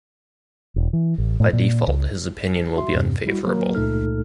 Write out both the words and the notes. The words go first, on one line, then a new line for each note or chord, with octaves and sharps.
By default, his opinion will be unfavorable.
E1
E3
A1
A2
A#2
C#2
F#4 E5 C6
E2 G2 C3
G3 E4 F#4
F#3 A#3 A#4
C#2 A#2 A3 D#4 A4 F6